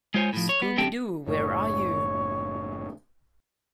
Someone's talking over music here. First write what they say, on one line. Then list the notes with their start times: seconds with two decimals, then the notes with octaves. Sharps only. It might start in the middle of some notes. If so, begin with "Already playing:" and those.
Scooby-Doo, Where Are You!
0.14 G#3 F4 C5 C#5 G#5
0.33 A2 F3
0.49 C#5
0.62 B3
0.77 F#2 D3 C4 G4 G5 A5
1.27 F#1 A2 C#5